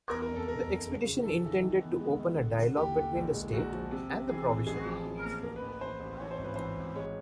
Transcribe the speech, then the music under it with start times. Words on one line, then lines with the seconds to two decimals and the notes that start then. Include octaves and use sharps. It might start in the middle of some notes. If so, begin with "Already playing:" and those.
The expedition intended to open a dialogue between the state and the opposition.
0.09 E2 A#4
0.22 A#4
0.29 F1
0.36 A4
0.47 F1 A#4
0.67 F1
0.86 C#3
1.06 C#3
1.24 E3 A4
1.43 E3
1.63 D#3
1.82 B3
2.00 G#3
2.19 D#3
2.38 D3
2.57 D3
2.77 D#2 G4
2.96 D3
3.15 A#1
3.34 G#3
3.52 A#1 F#4
3.72 F3
3.91 C3
4.10 C3
4.29 E3 G#4
4.47 C3
4.66 A1 G#4
4.85 F3
5.06 F3
5.25 A#3
5.43 A1 A#4
5.56 B4
5.62 A1
5.68 B4
5.81 A1 C5
6.00 A1
6.19 E3 C#5
6.31 C5
6.38 G#1
6.44 B4
6.56 E3 C5
6.76 G#1
6.95 G#3 C#5